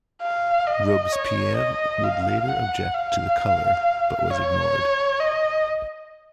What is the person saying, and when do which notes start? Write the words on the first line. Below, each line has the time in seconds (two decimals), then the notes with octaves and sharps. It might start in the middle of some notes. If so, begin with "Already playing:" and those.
Robespierre would later object to the color, but was ignored.
0.22 F5
0.67 D#5
1.12 C#5
1.57 D#5
2.04 F5
2.49 F#5
2.94 F5
4.30 C#5
5.20 D#5